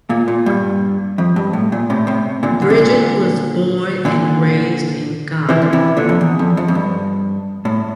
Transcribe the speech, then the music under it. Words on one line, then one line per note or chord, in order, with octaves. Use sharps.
Bridget was born and raised in Ghana.
A#2
A#2
G2
F2
G2
A2
A#2
A2 C3
A2 C3
A#2 D3
D3
C3
A#2 D3
A#2 D3
C3 E3
D3
C3 E3
A#2 D3
F2
E2
F2
F2
F2
G2
A2